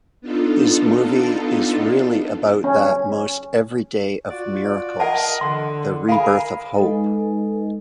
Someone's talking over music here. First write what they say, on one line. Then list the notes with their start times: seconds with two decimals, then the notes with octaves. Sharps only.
His movie is really about that most everyday of miracles: the rebirth of hope.
0.21 B3 D4 D#4 F4 A4
2.64 C#4
4.30 F4 F#4 D5
5.00 A#4 D#5 F#5 A5
5.41 D3 C6
6.09 G#4 A#4 F5 B5
6.75 G#3 D#4 A4 B4 D#5 G#5